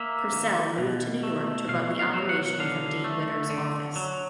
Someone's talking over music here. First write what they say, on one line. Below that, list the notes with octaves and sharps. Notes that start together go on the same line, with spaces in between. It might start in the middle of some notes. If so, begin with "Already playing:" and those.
Purcell moved to New York to run the operation from Dean Witter's office.
Already playing: A#3 E5
D#3
B2
A3
B2 F5
F5
F#3
F#5
D3 F5
A3
D3
F#3